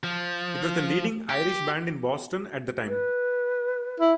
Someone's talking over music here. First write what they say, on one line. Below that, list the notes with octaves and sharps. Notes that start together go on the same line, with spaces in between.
It was the leading Irish band in Boston at the time.
F3
G4
B4
E4